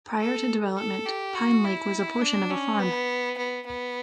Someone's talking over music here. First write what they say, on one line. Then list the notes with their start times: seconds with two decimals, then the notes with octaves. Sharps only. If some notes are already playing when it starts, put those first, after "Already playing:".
Prior to development, Pine Lake was a portion of a farm.
0.20 A4
0.77 A4
1.06 G4
1.35 F#4
1.64 E4
2.22 D4
2.50 C#4
2.79 B3
3.38 B3
3.66 B3